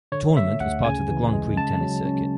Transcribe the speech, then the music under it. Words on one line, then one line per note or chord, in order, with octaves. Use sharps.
The tournament was part of the Grand Prix tennis circuit.
D3 C#5
A3 E5
D2 F#5
C#3 G#5
E3
G#3
C#3 A5
F#3
C#4